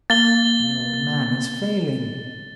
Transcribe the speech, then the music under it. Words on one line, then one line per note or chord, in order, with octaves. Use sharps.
"The old man is failing."
A#3 A6 G7